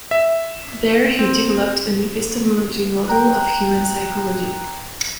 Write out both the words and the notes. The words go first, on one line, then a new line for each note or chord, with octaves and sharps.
There he developed an epistemology model of human psychology.
E5
C4
G5 A#5 F#6